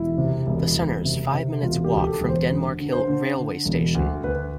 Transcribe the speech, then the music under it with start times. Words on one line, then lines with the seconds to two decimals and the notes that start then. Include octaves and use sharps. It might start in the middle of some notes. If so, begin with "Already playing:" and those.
The centre is five minutes walk from Denmark Hill railway station.
Already playing: E1 E4
0.18 C3
0.47 E1
0.76 E1
1.05 C3
1.34 C3
1.63 E1 F4
1.84 G4
1.91 D2
1.98 G4
2.07 A4
2.21 E1
2.29 C5
2.51 D3
2.79 D3
2.93 C5
3.07 D3
3.37 D3
3.66 E1
3.95 D2
4.23 D2 B4